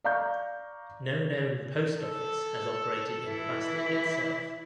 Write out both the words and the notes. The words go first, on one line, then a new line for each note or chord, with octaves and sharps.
No known post office has operated in Plastic itself.
D5 F5 A#5 C#6 G6
A4
E3 E4